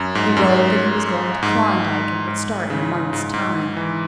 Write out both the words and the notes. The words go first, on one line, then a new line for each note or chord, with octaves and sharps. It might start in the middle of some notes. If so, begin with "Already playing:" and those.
He wrote that he was going to Klondike and would start in a month's time.
Already playing: F#2
G#2
F#2
G#2
G#2
C#3
G#2
G#2
E3